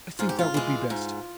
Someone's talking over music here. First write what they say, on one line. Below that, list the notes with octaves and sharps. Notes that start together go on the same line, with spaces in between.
I think that would be best.
G#2 F4
G4
F4
E3 G#3
G#2